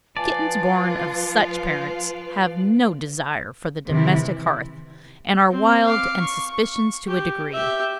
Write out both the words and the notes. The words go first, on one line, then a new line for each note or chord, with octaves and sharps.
Kittens born of such parents have no desire for the domestic hearth, and are wild and suspicions to a degree.
F3 F4 B4 D5 G#5 A5
C3 D#3 E3 E4
C4
F5 D6
C#6
C#6
G4
G4 E5